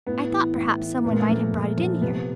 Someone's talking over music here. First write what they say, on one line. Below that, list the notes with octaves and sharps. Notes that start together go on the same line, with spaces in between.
I thought perhaps some one might have brought it in here.
A2 B3
E3
A2
E3
A#2 B3
A#3
A3
F3 A#3
A#2
F3
C3 B3